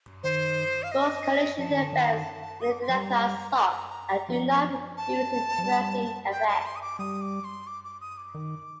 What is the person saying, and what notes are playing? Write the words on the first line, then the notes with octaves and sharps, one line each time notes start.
Most collision events in the detector are "soft" and do not produce interesting effects.
D#3 C5
F5
D#5
F3 A5
D#3
D3
D#3
D#6
D6
C6
F3
G3 A#5
F3
A5
F3
G3
G5
A5
C6
D#6
D6
G3 D#6
D6
C6
D6
D6
D#6
D6
D#3